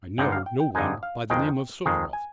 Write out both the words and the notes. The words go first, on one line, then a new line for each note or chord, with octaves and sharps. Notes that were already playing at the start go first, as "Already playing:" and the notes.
I know no one by the name of Souvaroff.
G2 D3 G#3 D#4 G5
F5
G5
G5
G2 D3 G#3 D#4 G#5
F5
F2 D#3 G#3 G5
F2 D#3 G#3
G#5